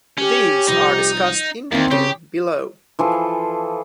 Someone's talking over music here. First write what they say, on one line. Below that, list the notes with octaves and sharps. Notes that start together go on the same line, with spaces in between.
These are discussed in detail below.
C#4 G4
C2 F3 D#4
E2 D#3 A#3 C4
C#3 G4
E3 F3 G#4 A4